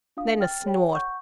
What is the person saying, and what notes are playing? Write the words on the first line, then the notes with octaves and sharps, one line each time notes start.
Then a snort.
D4 F4 F5 D#6
G5 F6 A6
G#4 C#5 G5
F#5 C#6 G6